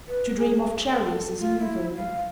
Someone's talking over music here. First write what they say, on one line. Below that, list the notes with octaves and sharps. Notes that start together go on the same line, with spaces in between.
To dream of cherries is evil.
B4
G#4
A4
F4
E4
F5